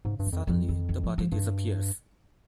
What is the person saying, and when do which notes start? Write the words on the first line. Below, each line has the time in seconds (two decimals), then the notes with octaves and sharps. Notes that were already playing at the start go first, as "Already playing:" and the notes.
Suddenly the body disappears.
0.05 G#2 C#3
0.19 G2
0.26 D#3
0.33 F2
0.47 F2 F3
0.69 D#3
0.89 D#3
1.04 F3
1.18 F3
1.32 G2 D#3